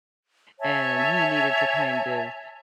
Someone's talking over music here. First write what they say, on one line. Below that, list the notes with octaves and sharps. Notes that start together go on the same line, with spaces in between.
and he needed to kind of
C#5 E5 G#5 A5